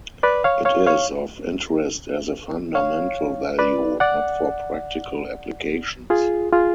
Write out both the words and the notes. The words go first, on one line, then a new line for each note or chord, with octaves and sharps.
It is of interest as a fundamental value, not for practical applications.
B4 D5
C#5 F5
C#5 F5
C#5 F5
C#5 F5
B4 D5
D5 F#5
F4 G#4
F4 G#4